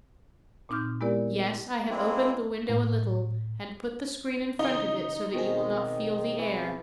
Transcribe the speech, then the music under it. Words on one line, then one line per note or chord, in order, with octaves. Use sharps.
"Yes, I have opened the window a little, and put the screen in front of it, so that you will not feel the air."
A#2 C4 D#4 D6 F6 G6
G#3 B3 E4 G4 A#4 D5
G#3 A#3 C4 E4
A2
C#3 E3 D#4
B2 D#3 C4 G#4
E3